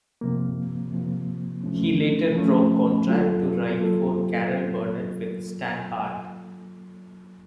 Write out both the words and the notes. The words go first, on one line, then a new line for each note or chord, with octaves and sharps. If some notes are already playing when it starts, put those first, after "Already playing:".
He later broke contract to write for Carol Burnett with Stan Hart.
C3 F3 A#3
C3 F3 A#3
F3 A3 C#4
F3 A3 C#4
F#3 A#3 F4 A4
F#3 A#3 F4 A4